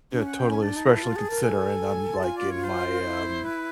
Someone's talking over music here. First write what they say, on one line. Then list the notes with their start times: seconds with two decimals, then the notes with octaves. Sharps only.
Yeah, totally, especially considering I'm, like, in my, um
0.12 D4
0.22 C#4 F#5
0.38 G5
0.50 G#5
0.62 D4 A5
0.76 D#4 A5
0.85 A#5
0.89 E4 A5
1.03 F4
1.16 G#4
1.30 A#4
1.43 A4 G#5
2.17 A5
2.23 F4 G#5
2.37 D5
2.51 C#5
2.63 C5
3.04 E4
3.44 B4